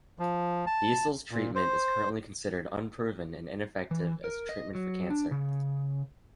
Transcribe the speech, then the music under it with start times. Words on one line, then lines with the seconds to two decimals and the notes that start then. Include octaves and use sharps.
The Issels treatment is currently considered unproven and ineffective as a treatment for cancer.
0.19 F3
0.67 A5
1.31 A#2
1.55 C5
3.91 E3
4.24 A#4
4.49 D#5
4.75 F#3
5.10 D4
5.31 C#3